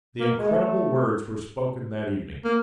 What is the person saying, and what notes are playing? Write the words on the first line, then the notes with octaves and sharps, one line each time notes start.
The incredible words were spoken that evening.
A#3
G#3
A3
A#3